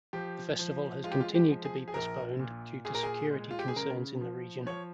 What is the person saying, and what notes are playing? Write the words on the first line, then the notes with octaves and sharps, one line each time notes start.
The Festival has continued to be postponed due to security concerns in the region.
F3 G4
F3
G#3 F4
G4
F4
G4
F3
G#4
G#4
A#1 A#4
A#2
A#2 G#4
A#4
G#4
G#3
F4
G4
G#4
C#3 A#4
F3
F3 C#5